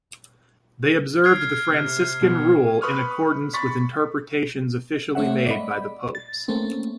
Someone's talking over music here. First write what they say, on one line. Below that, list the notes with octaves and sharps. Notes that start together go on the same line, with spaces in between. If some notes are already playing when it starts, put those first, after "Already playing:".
They observed the Franciscan Rule in accordance with interpretations officially made by the Popes.
F6 G#6 C7
C3
B2
B4 B5 C#6 D#6 F6
B5 C#6 A6 B6
A3 C4 C#5 E5 F#5
D5 D#5 B5
A6
A3 A#3 C4 C#4